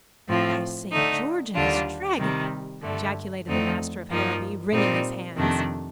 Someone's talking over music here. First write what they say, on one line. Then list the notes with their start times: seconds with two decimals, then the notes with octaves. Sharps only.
"By St. George and his Dragon!" ejaculated the master of Harrowby, wringing his hands.
0.28 A2 F3 C4 F4
0.91 D3 A3 D#4
1.54 D#2 D3 G3 D4 F4
2.19 C3 D#3 G3
2.82 G2 D3 A3
3.46 F2 D3 A3 C4 D#4
4.09 G2 F3 A#3 D#4
4.72 A#2 G3 C4 D#4
5.36 F2 C3 D#3 A3 D4